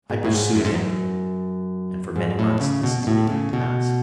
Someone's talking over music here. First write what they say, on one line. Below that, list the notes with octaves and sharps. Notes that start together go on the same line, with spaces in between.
I pursued him, and for many months this has been my task.
G#2
A2
G#2
F#2
G#2
F#2
G#2
A2
C#3
B2
B2
A2
C#3
B2